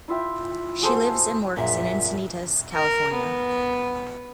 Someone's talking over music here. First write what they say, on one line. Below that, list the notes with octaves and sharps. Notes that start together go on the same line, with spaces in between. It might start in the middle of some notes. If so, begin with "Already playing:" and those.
She lives and works in Encinitas, California.
E4 F4 E5 G5
F#4 G#4 A4 C5
A#1 F#2 A#2 E5
A#4
B3